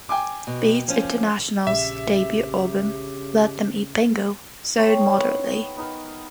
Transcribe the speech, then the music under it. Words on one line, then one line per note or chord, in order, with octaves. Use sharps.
Beats International's debut album, "Let Them Eat Bingo", sold moderately.
G5 G#5 D6
B2
F3 C#4
A#1 C#3 G4 E5
C#5 G5 A#5 C6
D#4 A4
B3
B3 D#4 A#4